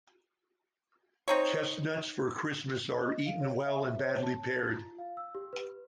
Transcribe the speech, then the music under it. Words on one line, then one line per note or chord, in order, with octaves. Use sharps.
Chestnuts for Christmas are eaten well and badly paired.
C4 D#4 C#5
D#5
F5
C#5
E5
C#5
A5
A6
F4
F5
E6
G4
B4